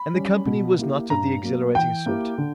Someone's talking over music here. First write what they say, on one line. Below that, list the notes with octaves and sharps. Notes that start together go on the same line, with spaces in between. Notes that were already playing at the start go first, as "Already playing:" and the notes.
And the company was not of the exhilarating sort.
Already playing: B5
G3 C#4
B2
A#3 E4 G4
G2 A#5
F#3 A#3
E3 G5
A#3 E4 G4
D3